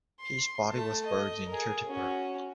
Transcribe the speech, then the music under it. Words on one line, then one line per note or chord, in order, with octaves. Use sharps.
His body was buried in Kirtipur.
C6
A3 A5
D#5
G#4 A#4
C#4 F#4